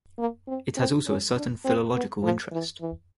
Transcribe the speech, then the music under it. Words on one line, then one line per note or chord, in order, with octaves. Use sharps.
It has also a certain philological interest.
A#3
C4
C4
C#4
D4
C4
B3
F3
E3
E3